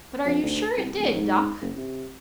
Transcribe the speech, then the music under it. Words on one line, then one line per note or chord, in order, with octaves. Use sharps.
"But are you sure it did, Doc?"
F2
D2
C2
D1
G#2
F#1
C3